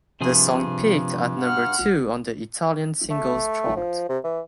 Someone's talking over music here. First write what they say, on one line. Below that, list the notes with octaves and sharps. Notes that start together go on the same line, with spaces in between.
The song peaked at number two on the Italian Singles Chart.
G2 C3 F3 G#4
F#5 F6
A3
F3
C3
E3